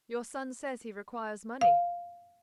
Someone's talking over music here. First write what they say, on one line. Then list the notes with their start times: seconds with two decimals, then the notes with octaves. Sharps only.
"Your son says he requires money."
1.61 F5